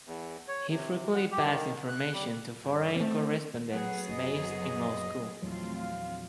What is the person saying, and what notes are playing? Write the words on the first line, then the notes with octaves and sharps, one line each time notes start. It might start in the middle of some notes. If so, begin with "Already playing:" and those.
He frequently passed information to foreign correspondents based in Moscow.
E2
C#5
C3
F#5
G4
D#3
F#6
G3
G2
A3 C4
F#3 B3 G#4 F#5
F#1 D#5
A#1 E2 F#3 A3 C4 F4
F5